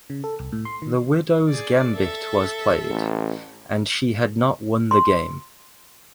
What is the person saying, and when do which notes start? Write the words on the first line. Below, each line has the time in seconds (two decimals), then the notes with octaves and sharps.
The widow's gambit was played, and she had not won the game.
0.10 C#3
0.24 A4
0.40 C2
0.52 A2
0.65 C6
0.82 D#3
1.48 G#4 D5
1.93 A4 E5
2.88 A1
4.91 C6